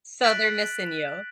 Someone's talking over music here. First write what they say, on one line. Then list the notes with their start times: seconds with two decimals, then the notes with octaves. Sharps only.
So, they're missing you.
0.21 F#6 A6 B6 D7 E7 F#7